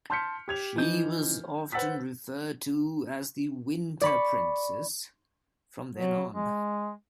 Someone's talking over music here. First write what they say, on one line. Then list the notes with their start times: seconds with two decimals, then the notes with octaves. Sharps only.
She was often referred to as the "Winter Princess" from then on.
0.10 A5 C6 F6 G6 B6 C#7
0.48 G4 G#6 F7
0.76 E3 F3 D#4 G6
1.72 B4 C5 F#5 E6 A6 B6
4.01 D5 B5 C#6
5.95 F#3
6.34 G#3